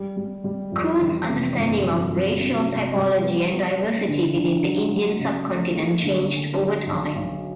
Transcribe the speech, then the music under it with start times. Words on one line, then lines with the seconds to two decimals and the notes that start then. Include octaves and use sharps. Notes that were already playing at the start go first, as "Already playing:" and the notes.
Coon's understanding of racial typology and diversity within the Indian sub-continent changed over time.
Already playing: G3
0.17 G3
0.44 G3
0.72 F2
1.01 E3
1.29 C3
1.57 G1
1.84 F#3
2.12 F#3
2.40 C3
2.68 C3
2.96 G3
3.23 B3
3.52 B3
3.80 B3
4.08 D3
4.36 D3
4.64 F#3
4.92 F#3
5.19 C#3
5.48 A3
5.76 A#3
6.03 D3
6.31 D3
6.60 F#3
6.87 B1
7.16 B1